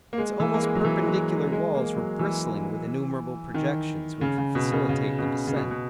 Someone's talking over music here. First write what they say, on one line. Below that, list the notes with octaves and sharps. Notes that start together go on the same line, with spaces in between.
Its almost perpendicular walls were bristling with innumerable projections which would facilitate the descent.
A#3
G#3
E3
A#3
G#3
F#3
E3
G#3
F#3
G#3
G#3
A#3
F#3
E3
D#3
C#3
C#3
B2
C#3
C#3
B2
C#3
C#3
B2
B2